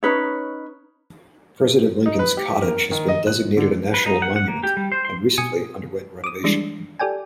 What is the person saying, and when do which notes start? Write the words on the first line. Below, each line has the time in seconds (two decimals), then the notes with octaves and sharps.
President Lincoln's Cottage has been designated a National Monument, and recently underwent renovation.
0.03 C#4 D#4 B4 C#5
2.06 D#4
2.19 B4
2.37 G4
2.62 A#4
2.91 D#3
3.08 D#5
3.27 F#6
3.57 D3
3.94 B4
4.06 D#4
4.22 F#5
4.36 F#5
4.48 A#3
4.63 G4
4.77 G3
4.92 C5
5.05 C6
5.38 B2 G#5 D#6 C#7
6.24 D6 D#6
6.44 E3 G3 G#3 D4
6.99 G4 A4 D5 G5 G#5